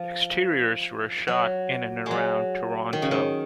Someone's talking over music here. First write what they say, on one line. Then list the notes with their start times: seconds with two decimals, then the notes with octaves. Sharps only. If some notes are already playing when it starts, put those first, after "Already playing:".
Exteriors were shot in and around Toronto.
Already playing: F3
1.27 F#3
2.06 F#3 G#3
2.93 D#3
3.02 C#3
3.11 D#3